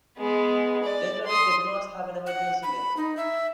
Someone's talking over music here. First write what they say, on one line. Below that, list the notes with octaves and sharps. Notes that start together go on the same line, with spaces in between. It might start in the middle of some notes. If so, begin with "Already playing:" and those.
Generally, they do not have an emergency lane.
G#3 B3
D5
C6 D#6
F#5
B5
D#4
E5